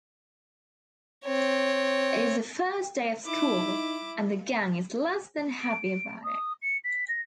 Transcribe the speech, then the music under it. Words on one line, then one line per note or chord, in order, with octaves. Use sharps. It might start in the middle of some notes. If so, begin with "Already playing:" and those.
It is the first day of school, and the gang is less-than-happy about it.
C4 C#5
D#4 E4 D6
D7
D#6
C#7
B6
A#6